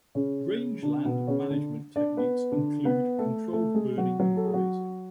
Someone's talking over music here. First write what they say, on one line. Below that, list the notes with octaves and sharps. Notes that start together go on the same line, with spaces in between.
Rangeland management techniques include controlled burning and grazing.
C#3 C#4
D3 D4
B2 B3
C#3 C#4
D3 D4
D4 D5
B3 B4
D3 D4
B3 B4
A3 A4
A3 A4
G#3 G#4
F#3 F#4
F#3 F#4
A4
G#4
F#3 F#4